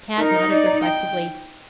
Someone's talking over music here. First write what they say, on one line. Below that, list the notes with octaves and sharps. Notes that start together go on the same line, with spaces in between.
Tad nodded reflectively.
D#4 A#4
D5
G5